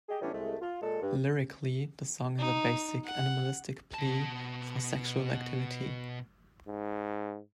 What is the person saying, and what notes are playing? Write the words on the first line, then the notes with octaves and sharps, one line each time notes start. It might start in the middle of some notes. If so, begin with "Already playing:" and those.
Lyrically, the song is a basic, animalistic plea for sexual activity.
G4 G#4 D#5
A2 E3 G3 B3 C#4 D4
C2 G#3 A3
F4
A#2 G#3 A4
G2
D#4
F#5
B2 A5
G#2